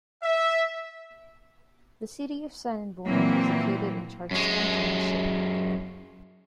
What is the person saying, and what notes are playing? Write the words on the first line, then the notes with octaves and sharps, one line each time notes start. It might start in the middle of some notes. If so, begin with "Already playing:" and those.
The city of Sanborn is located in Charlestown Township.
E5
A#2 E3 F#3 A#3 C4
F#2 G#3